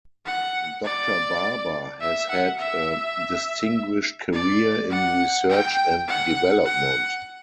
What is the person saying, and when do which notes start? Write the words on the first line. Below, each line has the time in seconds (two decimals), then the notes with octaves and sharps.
Doctor Barber has had a distinguished career in research and development.
0.26 F#5
0.84 D5
2.01 E5
2.29 F#5
2.59 E5
4.33 D5
4.90 F#5
5.49 G5
6.07 F#5
6.65 F#5